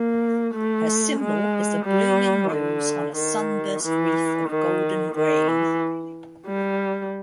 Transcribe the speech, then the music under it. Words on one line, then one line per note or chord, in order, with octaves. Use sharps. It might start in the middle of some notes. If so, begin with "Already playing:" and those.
Her symbol is a blooming rose on a sunburst wreath of golden grain.
Already playing: A#3
A3
G#3
G3
D3
D#3
E3
D#3
D#3
E3
G3